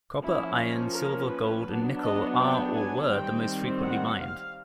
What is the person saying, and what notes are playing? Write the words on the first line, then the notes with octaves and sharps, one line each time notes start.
Copper, iron, silver, gold and nickel are or were the most frequently mined.
F3 A#3 C#4 E4
A#4
B4
F#3 B3 D4
D#5
G5
G#5
D#3 G3 C4 G5
F#5
F5